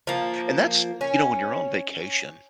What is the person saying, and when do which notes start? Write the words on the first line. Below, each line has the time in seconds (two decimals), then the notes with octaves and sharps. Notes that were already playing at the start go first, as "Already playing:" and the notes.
And that's you know, when you're on vacation
0.07 F3 A#3
1.01 C#4